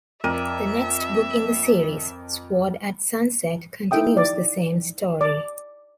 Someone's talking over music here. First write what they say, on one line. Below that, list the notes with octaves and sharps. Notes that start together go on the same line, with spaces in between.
The next book in the series, "Sword at Sunset", continues the same story.
F2 A#4 D5 E5 D#7
D#4 E4 A4 E5 G5 D#6
D5
D5 D6